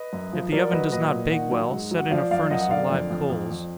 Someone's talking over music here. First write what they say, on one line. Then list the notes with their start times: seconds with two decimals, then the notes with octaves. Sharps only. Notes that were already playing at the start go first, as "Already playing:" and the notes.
If the oven does not bake well, set in a furnace of live coals.
Already playing: B4 D#5
0.13 F#2
0.33 F3
0.52 F#3 A#4 D5
0.72 F#3 B4 D#5
0.92 A#2 B4 D#5
1.12 A#2
1.32 D#3 D#5 F#5
1.51 F#3
1.71 G#2
1.91 F#3
1.98 F#5
2.11 F3 D5 F5
2.31 F#2 D5 F5
2.50 F#2 D#5 F#5
2.61 F#5
2.71 D3 D5 F5
2.90 F2
3.10 F2
3.30 F2
3.50 F2